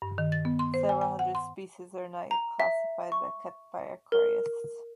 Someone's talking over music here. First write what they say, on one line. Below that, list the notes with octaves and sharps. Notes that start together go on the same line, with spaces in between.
Several hundred species are not yet classified, but kept by aquarists.
G2
D#3
A6
B3
C6
C5
G#5
G#5
F#5
C6
A#5
E5
C#6
A#4